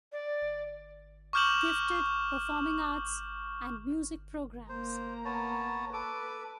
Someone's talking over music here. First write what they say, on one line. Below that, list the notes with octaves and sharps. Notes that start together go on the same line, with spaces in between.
Gifted, Performing Arts, and Music Programs.
D5
C#6 D6 F6 G6 E7 F#7
A#3 C5 A#5
B3 C#5 A5
A4 B4 D6